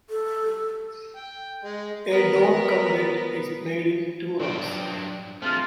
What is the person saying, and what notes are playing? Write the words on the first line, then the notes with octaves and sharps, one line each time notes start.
A don't come bet is played in two rounds.
A4
G5
G#3
B3 A#4
F#3 D4 G5
A3 C4 F4 G#4